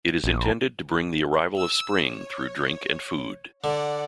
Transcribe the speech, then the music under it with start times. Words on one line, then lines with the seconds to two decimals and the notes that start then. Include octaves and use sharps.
It is intended to bring the arrival of spring through drink and food.
0.24 A#1
1.57 E6
2.05 C#5
3.64 D3 D5 F#5